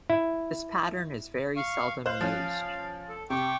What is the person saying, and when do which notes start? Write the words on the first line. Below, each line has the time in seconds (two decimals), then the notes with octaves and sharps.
This pattern is very seldom used.
0.10 E4
1.56 F5 C#6
2.06 C5 F5 F#6
2.21 F3 C#4
3.09 A4
3.30 C3 G5 C#6 D6